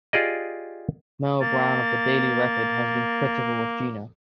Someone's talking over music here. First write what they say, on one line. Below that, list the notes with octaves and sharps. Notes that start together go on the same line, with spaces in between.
Merle Brown of the "Daily Record" has been critical of Gina.
F4 G4 G#4 D5 D#5
A#3 A6